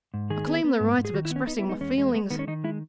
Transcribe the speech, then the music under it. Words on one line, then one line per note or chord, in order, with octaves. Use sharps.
I claim the right of expressing my feelings.'
G#2
D#3 G#4
B3
B3
G#2
G#2
G#4
D#3 F#4
E4
B3
C#4
B3 D#4
E4
G#3
D#4
E2 C#4
G#3
G#3 B3
D#3 B3
C#4
D#3 D#4
G#3 E4